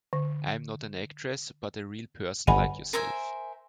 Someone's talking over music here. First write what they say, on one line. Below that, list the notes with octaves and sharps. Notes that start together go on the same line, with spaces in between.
I am not an actress, but a real person like yourself.
D3
G1 F#5 G#5 B5
A#4 C5 E5 G#5